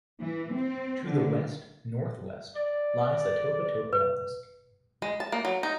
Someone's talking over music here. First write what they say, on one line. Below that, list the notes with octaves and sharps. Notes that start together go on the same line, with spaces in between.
To the west-northwest lies the Topatopa Mountains.
E3
C4
D3
D5
B4
G#3
A5
A#3
F#3
D#4